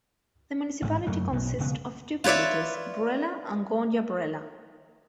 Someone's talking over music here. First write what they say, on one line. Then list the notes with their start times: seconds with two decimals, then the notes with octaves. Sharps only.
The municipality consists of two villages: Brela and Gornja Brela.
0.82 A1 G#2
1.07 F#2 F#3 A3 A#3
1.33 B1 B2
1.59 E1 C#3 B3
2.24 F4 B4 C#5 D5 E5